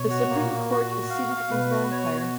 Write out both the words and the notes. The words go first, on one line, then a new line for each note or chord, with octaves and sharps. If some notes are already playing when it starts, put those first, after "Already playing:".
The Supreme Court is seated in Blantyre.
Already playing: B2 C#5
F#4
A#2 A#3
A#3
F#4
F#4
F5
F5
B2 B4
F#4
C#5
F#4